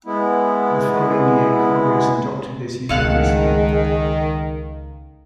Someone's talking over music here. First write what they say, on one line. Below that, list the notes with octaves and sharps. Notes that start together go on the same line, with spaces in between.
The following year Congress adopted this unanimously.
G#3 B3 E4
C#2 D#3 G#3 D#4 A4 F5 F#5